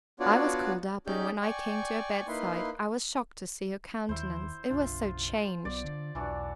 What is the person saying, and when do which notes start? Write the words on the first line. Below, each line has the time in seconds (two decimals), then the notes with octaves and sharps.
I was called up, and, when I came to her bedside, I was shocked to see her countenance--it was so changed!
0.20 B3 D4 F4 F#4 C#5 D5
1.07 C#4 D#4 G4 G#4 D5 G6
1.42 D5 G5 G#5 C#6
2.28 A#3 D#4 E4 B4 C6
4.09 D#2 E4 C5
4.70 F#1 B1 D4 F4
5.65 B1 F#3 B3 D5
5.84 D3
6.15 E1 B1 E3 D4 F#4